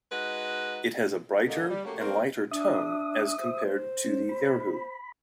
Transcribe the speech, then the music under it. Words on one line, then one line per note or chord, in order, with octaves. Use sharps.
It has a brighter and lighter tone as compared to the "erhu".
G#3 D#4 F#4 B4
D3 A#3 D#5
G3
A3 A#3 C#4 F#4 G4 A4
A#3 C4 F4 F#4 A#4 C5
D4 E5 D#6
C5
C#4
B5